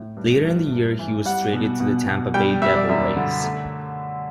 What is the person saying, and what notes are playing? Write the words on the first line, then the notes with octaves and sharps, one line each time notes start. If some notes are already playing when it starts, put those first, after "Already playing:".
Later in the year, he was traded to the Tampa Bay Devil Rays.
Already playing: A2
G2
G2
G2
E3
G3 F#5
B2
B2
B2
G3 G5
G3 E5
D5
F#2 E5
D3
A3